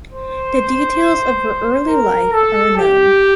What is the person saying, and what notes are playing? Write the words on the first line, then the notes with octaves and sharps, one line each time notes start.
The details of her early life are unknown.
C5
A#4
A4
G4